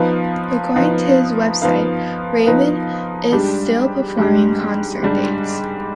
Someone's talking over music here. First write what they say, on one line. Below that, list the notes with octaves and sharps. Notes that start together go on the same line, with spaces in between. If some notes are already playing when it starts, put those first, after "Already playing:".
According to his web site, Raven is still performing concert dates.
Already playing: F3 B3 D#4 B4 F5
F3 B3 D#4 B4 F5
F3 B3 D#4 B4 F5
F3 B3 D#4 B4 F5
G#2 G3 D4 G4
G#2 G3 D4 G4
G#2 G3 D4 G4